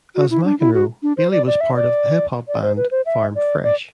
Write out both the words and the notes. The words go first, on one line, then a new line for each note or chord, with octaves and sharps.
As Mcenroe, Bailey was part of the hip hop band Farm Fresh.
F#4
E4
D4
E4
F#4
D4
C5
D5
D5
E5
D5
D5
C5
B4
C5
E5
D5
D5